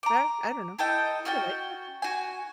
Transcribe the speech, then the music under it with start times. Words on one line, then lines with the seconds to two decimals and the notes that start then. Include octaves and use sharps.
They're I don't know. I think you're right, yes.
0.03 A#5 D6
0.79 E4 A4 D#5 G5
1.25 C#4 F#4 G5 A5
2.02 F#4 G#5